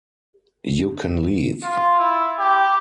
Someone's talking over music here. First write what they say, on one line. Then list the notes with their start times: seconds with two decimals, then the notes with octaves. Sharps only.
You can leave.
1.63 F4
1.99 E4
2.39 G4